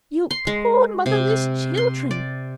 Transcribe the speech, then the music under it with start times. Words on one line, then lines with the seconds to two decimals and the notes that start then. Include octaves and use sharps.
'You poor motherless children!
0.31 C6
0.47 G#3
1.06 C3
1.77 C6
2.11 D5